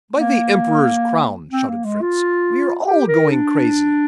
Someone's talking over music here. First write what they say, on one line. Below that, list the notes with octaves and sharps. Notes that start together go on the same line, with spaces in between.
"By the Emperor's crown!" shouted Fritz, "we are all going crazy."
A#3
C4
A#3
G#3
F4
G4
A#4
D4